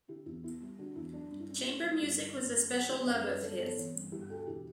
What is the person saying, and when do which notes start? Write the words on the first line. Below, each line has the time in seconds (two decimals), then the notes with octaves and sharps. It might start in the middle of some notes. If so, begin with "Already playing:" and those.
Chamber music was a special love of his.
0.08 D3 E4 G4
0.26 E2 E4
0.43 B3 E4
0.61 G3
0.79 D3 D4 F#4
0.96 E2 E4
1.13 F#3 D4
1.31 G2
1.40 E4
1.49 C#4
1.66 A3 E4
1.83 F#3 E4
2.01 G2 E4 G4
2.19 D3
2.36 F#2
2.54 A3
2.72 F#3
2.88 D3 E4 G4
3.06 F#2 C#5 E5
3.24 G2 B4 D5
3.41 G1 A4 C#5
3.59 B3 A4 C#5
3.76 E3 E4
3.95 G2
4.12 G1 E4 G4
4.29 D2 F#4 A4
4.47 E1 E4 G4